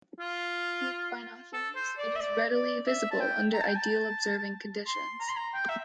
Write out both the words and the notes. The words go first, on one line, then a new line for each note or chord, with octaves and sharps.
With binoculars it is readily visible under ideal observing conditions.
F4
A4
C5
D5
E5
D5
D5
E5
A5
G5
A#5
A5
G5
A5
C6
A#5
C6
A#5
G5
E5